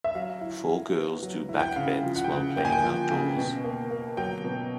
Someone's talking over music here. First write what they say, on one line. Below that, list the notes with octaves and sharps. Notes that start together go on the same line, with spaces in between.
Four girls do backbends while playing outdoors.
E5
F#3 F5
E4
E4
B3
F#3
E4
G5
F#5
C#3 F5
F3
F#5
G5
C#3 F#5
A#3 G5
G#5
G5
F3
C#3
B2
A#3
A#3
F#3 G5
B2